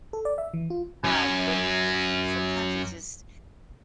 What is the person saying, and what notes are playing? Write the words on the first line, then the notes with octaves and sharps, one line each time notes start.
uh, but, eh and sometimes it's just
A4
D5
E5
E3
F4
F#2 C#4